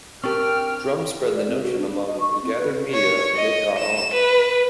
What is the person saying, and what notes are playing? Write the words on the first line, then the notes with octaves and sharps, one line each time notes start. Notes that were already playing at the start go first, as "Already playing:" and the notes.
Drum spread the notion among the gathered media and it caught on.
C4 D4 G4 A#4 G5 C#6 F6
G#4
D5
C4
F#4
D4
D4
D#5
C#6
C4
B4
C#5
D#5
E7
B4